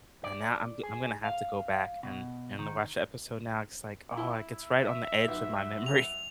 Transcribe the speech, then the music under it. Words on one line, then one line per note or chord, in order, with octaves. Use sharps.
And now I'm g I'm gonna have to go back and and watch a episode now 'cause, like oh, like, it's right on the edge of my memory.
D5
G#4
F5
B2
D#3
E4
E5
B1
F7